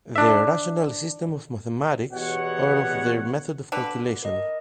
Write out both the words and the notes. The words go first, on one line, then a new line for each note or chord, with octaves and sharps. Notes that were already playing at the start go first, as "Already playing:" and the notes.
Their rational system of mathematics, or of their method of calculation.
D4 E5
E2 B2 G4 C#5 F#5
D3 D4 B4
A#4 D#5